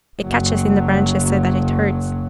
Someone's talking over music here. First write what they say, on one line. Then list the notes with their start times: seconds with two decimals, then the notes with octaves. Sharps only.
"It catches in the branches so that it hurts."
0.21 F#1 F#3